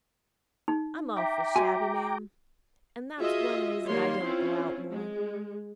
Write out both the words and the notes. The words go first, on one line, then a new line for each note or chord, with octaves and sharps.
I'm awful shabby, ma'am, and that's one reason I don't go out more.
D#4
E5 G5 A#5 D6
F#4 G#5
F4 F#4 G#4 D#5 E5
D#3 G3 A#3 C#5 C6
C4 C#4 E4 F4
G#3